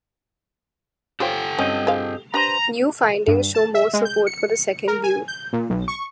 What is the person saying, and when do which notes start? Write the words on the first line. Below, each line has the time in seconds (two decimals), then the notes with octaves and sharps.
New findings show more support for the second view.
1.20 F4 G4 A4 C5 C#5 G5
1.59 G2 F#3 C4 C#4 D#5
1.87 G#4 C5 F5
2.34 D4 G4 B4 C5 A#5
3.28 G2
3.55 A5
3.75 E5
3.93 G#3
4.05 G6
4.27 C#7
4.88 A#4
5.04 G#5
5.28 G6
5.53 A#2
5.70 B1
5.88 C#6